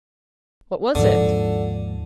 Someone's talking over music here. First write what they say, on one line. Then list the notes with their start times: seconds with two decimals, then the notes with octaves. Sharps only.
"What was it?"
0.95 D#2 G#2 D3 F3